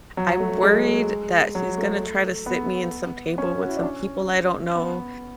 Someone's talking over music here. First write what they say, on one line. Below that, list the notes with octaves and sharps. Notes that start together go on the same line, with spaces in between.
I'm worried that she's gonna try to sit me in some table with some people I don't know.
F#3
A3
G#3
F#3
A3
B3
C#4
F#4
E4
D4
C#4
B3